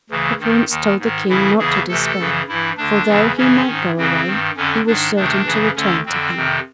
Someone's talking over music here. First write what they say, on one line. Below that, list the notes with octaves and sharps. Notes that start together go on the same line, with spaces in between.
The Prince told the King not to despair, for though he might go away, he was certain to return to him.
D2 C#3 E3
G2 D#3
D#2 D#3
G#2 D#3
F2 C#3 E3 E4
E2 C#3 E3 G#4
D2 C3 E3 A4
F#2 C#3 E3
G2 E3 E4
D2 D3 D4
E2 C#3 E3
F#2 C#3 E3 C#4
G#2 D#3
F2 C#3 E3 C4
G2 D#3
F2 D3 C#4
G#2 D#3 D4
D2 C3 D#3 D4
F#2 C#3 E3
D2 D3 C#4
F2 D3 C4
F2 C3 D#3